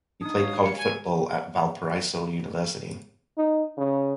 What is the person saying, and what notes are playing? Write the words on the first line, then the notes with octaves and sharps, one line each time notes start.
He played college football at Valparaiso University.
D4 D#4 D#6
F#4 C#5 F5
C#7
G#5
D#4
C#3